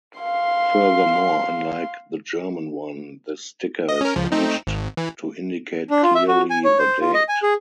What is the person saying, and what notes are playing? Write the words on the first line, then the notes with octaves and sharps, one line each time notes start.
Furthermore, unlike the German one this sticker is punched to indicate clearly the date.
F5 C6
D#5
C#4 A#4
C#2 F3
A3 C4 D#4
G#1
E3
D4
F4
E5
F#4
G#5
C#5
C5
F4
D#5
G#5
G#4